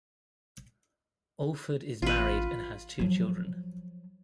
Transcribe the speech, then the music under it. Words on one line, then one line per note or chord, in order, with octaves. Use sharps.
Alford is married and has two children.
A1 F4 B4
F3 F#3